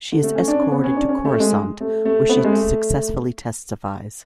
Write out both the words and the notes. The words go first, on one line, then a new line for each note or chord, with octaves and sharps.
She is escorted to Coruscant, where she successfully testifies.
D3
A3
C#4
D4
C#4
B3
C#4
D4
C#4
A3
G#3
A3
A3
B3
A3
G#3
A3